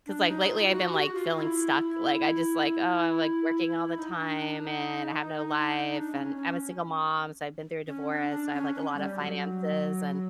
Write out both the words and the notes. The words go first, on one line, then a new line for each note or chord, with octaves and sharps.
'Cause, like, lately, I've been, like, feeling stuck. Like, I just, "Oh, I'm, like, working all the time, and I have no life, and I'm a single mom, so I've been through a divorce. So I have, like, a lotta finances," and
D4
D#4
F4
F#4
G4
F#4
F4
E4
D#4
D4
D4
D#4
D#4
D4
C#4
C#4
C#4
D4
D4
C#4
D4
C#4
G3
F#3